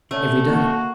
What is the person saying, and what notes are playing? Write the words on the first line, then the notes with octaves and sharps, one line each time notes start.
"Every day."
D3 A3 C#4
A#3 F#4